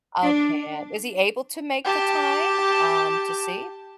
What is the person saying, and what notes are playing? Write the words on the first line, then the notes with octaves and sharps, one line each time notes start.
Okay. Uh, is he able to make the time, um, to see?
D4
G4 A5